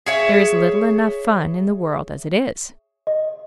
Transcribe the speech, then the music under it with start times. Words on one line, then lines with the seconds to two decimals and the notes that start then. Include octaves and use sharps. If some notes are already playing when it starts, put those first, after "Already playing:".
There is little enough fun in the world as it is.
0.06 G#4 C#5 E5
3.07 D#5